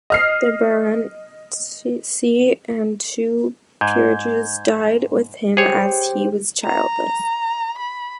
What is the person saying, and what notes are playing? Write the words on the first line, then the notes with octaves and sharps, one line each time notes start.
The baronetcy and two peerages died with him as he was childless.
D#5 F6 C7
G#2 G6 G#6
G4 G#4 C5 C#5 G5
A#5
B5